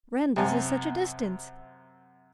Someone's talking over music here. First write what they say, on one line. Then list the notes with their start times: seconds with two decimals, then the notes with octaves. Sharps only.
Randalls is such a distance.
0.37 F#2 C3 G#5 A5